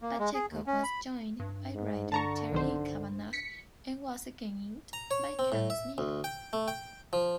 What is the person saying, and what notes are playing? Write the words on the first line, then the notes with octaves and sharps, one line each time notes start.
Pacheco was joined by writer Terry Kavanagh and was again inked by Cam Smith.
A#3
G#3
G#4
D#2
C#4
B5
G2
G#2
D3 A5 A#5 C#6
B1 D#3 C5
B6 C#7
A#5
C#5
C4
A2
E5
D2
G5
A3
G5
F3